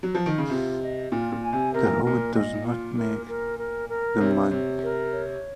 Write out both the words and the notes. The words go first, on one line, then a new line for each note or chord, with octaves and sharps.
The hood does not make the monk.
F#3
F3
D#3
C#3
C3 F4
D#5
A#2 F4
A#2
G#5
C3
C3 A#4
A#2
A#2 A#4
D#5
F4
A#4
A#4
A#4
A#4
C3 C#5
C3 C#5
A#4
C#5